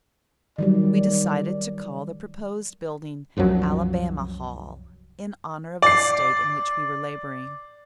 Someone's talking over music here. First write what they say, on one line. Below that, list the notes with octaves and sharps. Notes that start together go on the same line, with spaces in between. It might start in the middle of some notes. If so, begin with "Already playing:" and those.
We decided to call the proposed building Alabama Hall, in honour of the state in which we were labouring.
D#3 F#3 G3 D5
C2 F#2 F3 F#3
D5 C7